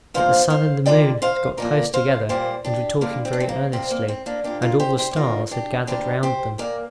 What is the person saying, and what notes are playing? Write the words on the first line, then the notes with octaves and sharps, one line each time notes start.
But the sun and the moon had got close together and were talking very earnestly, and all the stars had gathered round them.
D2 C3 F3 A#3 C5 F5
C5 F5
D2 D3 F3 A#3 D5 G5
C5 F5
A#2 F3 A#3 A#4 D5
C5 F5
A#2 G3 A#3 G4 C5
D4 G4
F2 D3 G3 A#3 D4
C4
D4
C4
A#3
F2 C3 G3 A#3 C4
A#3
C4
A#3 D4
A#2 A#3 D4 G4
F4 A#4
G4 C5
G4 C5
G4
D2 D3 G3 F4 A#4
D4 G4
D2 D3 G3 A#3 D4 G4
G4 C5
A#2 A#3 A#4 D5